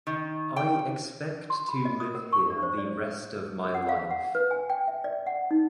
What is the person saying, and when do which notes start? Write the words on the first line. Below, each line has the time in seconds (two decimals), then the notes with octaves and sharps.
I expect to live here the rest of my life.
0.07 D#3
0.56 G5
1.50 C6
1.69 B5
1.85 D#5
2.00 D#6
2.15 A#4
2.33 C#6
2.50 D4
2.63 C5
2.78 D5
3.74 F#5
3.89 F5
4.11 F#5
4.35 B4
4.51 G#5
4.70 G5
4.88 E5
5.04 D5
5.27 F#5
5.51 D#4